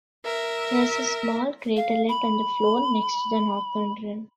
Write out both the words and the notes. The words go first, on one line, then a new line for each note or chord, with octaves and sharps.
There is a small craterlet on the floor next to the northern rim.
A#4 E5
F5
B5